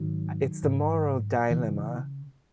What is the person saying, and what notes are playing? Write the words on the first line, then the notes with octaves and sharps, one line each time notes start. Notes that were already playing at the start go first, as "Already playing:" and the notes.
I It's the moral dilemma,
Already playing: G#2 D#3 F#3
G#2
C#3 E3